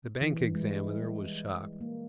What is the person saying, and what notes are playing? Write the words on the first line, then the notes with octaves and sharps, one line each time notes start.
The bank examiner was shocked.
E3
E3
G#3
G3
A#3